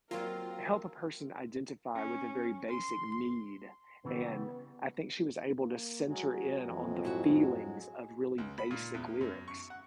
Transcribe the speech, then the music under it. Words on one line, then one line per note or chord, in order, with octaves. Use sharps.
help a person identify with a very basic need, and I think she was able to center in on the feelings of really basic lyrics.
F#3 A#3 C4 F4 A#4
C#4
C6
C#3 E3 G3 B3
A#3
F#3 G#3 F#4
F2 E3
G#2 E4 F#4
C#2
B5
A#2
E2
F#2
C#6
F#5